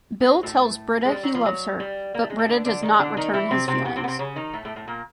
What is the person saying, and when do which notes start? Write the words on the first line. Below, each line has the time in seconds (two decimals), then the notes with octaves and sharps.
Bill tells Brita he loves her, but Brita does not return his feelings.
0.21 G#3
0.32 G#3
0.43 A2 A3
1.05 G#3
1.12 G3
1.23 F#3
1.35 F3
1.45 F#3
1.80 G3
2.15 A#3
2.22 A3
2.30 G#3
2.38 A2 A3
2.48 D3 D4
2.65 D3 D4
2.82 D#3 D#4
2.99 D3 D4
3.17 D#3 D#4
3.34 E3 E4
3.51 C3 C4
3.68 C3 C4
3.85 B2 B3
3.96 C3 C4
4.04 B3
4.08 C3 C4
4.19 C#3 C#4
4.36 D#3 D#4
4.53 A2 A3
4.65 A2 A3
4.76 A2 A3
4.87 A#2 A#3